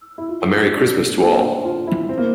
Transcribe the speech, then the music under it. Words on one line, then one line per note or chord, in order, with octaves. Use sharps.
A Merry Christmas to all!
E4
F4
F4
D4
A3
A#3
C4
D4
F4
E4
C4
A#3